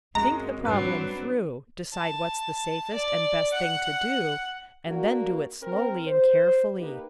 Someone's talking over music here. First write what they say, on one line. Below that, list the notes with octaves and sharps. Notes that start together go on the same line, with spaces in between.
Think the problem through, decide what's the safest and best thing to do, and then do it slowly and carefully.
F#2 G#3 C4 A#5
G#2 F#3 G3 C4 D4 B4
A5
D5
F#5
A#3 D4 F#4
C4 A#4
C5
A#3 D#4 G4 B4